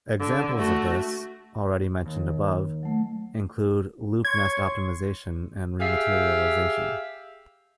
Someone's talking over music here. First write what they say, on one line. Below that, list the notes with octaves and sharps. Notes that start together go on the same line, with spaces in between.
Examples of this, already mentioned above, include loop nest optimization and rematerialization.
D3
A3 F#4
D#2
F#3 A3
C#5 C6 C#6 G#6
G4 G#4 E5 F5